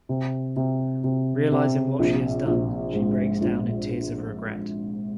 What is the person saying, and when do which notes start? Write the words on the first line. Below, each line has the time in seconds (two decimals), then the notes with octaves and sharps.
Realizing what she has done, she breaks down in tears of regret.
0.09 C3
0.56 C3
1.04 C3
1.52 C3
1.99 A#1
2.46 A#1
2.94 G#2
3.41 A#1